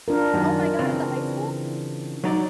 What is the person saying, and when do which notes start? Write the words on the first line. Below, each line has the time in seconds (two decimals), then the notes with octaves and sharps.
Oh my god, at the high school?
0.08 D4 F4 A#4
0.34 F#2 D#3
0.79 C#3 E3 C4
2.24 F#3 D#4 D5